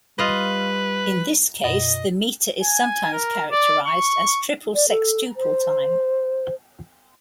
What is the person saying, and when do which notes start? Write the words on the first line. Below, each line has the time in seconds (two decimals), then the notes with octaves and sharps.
In this case, the metre is sometimes characterized as "triple sextuple time".
0.19 G3 F4 B4 D#5
1.64 F#2 B2 D#5
2.62 G#5
3.13 A#4
3.51 D5
3.87 C#6
4.75 D5
4.90 A4
5.37 C5